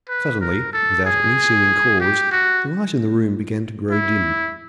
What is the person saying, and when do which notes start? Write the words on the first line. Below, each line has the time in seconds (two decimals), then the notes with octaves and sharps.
Suddenly, without any seeming cause, the light in the room began to grow dim.
0.09 B4
0.41 A#4
0.73 A4
1.05 G#4
2.00 G4
2.32 F#4
3.91 E4